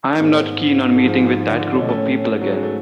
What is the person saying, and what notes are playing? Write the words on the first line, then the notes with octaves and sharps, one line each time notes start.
I am not keen on meeting with that group of people again.
A3
G#2 G#3 B3
A2
G#2
A3
F3 G#3
D3
D3
A3 C#4
B2
A2 A3 C#4
G#2
F#3
G#3
A3